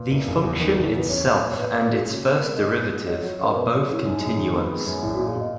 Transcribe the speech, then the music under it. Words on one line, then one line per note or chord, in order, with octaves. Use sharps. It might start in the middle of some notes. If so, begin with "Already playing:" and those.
The function itself and its first derivative are both continuous.
Already playing: A#2 B4
F#1
F#1
E2
D#3 A#4
F#4
F#1
E4
E2 B4
C#4 C#5
A#2
A#2
C#5
A#2 B4
A#2 A#4
G#3 F#4
C#3
B3
A#4
G#3
G#3 D#5
B3
G#3
F#3 D#5
F#3
C#4 A#4
B2 B4
A#4
F#3
G#4
C#4 E4
F#2 D#4
G#3
D#3
B3
G#3
F#2
A#1 E4
F#4
A#2
G#4
A#2 D#5